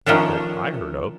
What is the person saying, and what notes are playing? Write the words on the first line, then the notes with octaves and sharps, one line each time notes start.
Not that I heard of.
D#3 F3 A3 C#4 D4